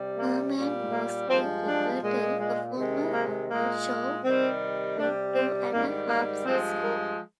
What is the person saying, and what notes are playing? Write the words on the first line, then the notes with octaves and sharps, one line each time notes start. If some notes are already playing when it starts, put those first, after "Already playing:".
Herman was a repertory performer on the show for two and a half seasons.
Already playing: C3 G3
A#3
A#2 G3
A#3
G2 F3 G#3 C4
D4
A#2 G#3
G#3
C3 D#3 G#3
A#3
A#2 G#3 A#3
C3 D#3 G3 C4
C3 G3 D4
C4
G#2 D#3 G3 A#3
A#3
G2 F3 G#3 C4
A#4